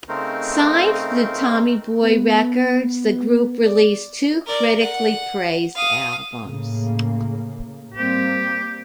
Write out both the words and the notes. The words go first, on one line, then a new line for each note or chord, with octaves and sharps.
Signed to Tommy Boy Records, the group released two critically praised albums.
C#3 A3 C4 D#4 A#4 C5
B3
D5
A#4 D5
F#5
F5 D#6
A2 C#3 A#3
G3 A#3 C4 G4